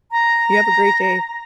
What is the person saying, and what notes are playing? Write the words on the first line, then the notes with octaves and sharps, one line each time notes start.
You have a great day.
A#5